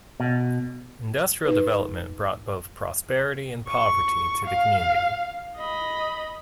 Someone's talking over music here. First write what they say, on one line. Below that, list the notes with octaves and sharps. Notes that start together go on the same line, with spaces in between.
Industrial development brought both prosperity and poverty to the community.
B2
D#4 B4
C#6
F5
D#5 B5